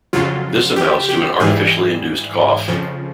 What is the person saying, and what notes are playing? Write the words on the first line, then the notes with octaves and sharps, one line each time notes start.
This amounts to an artificially induced cough.
F2 C#3 F#3 F4
G4
G4
G#2 E3 G3 G#4
F2 C#3 F3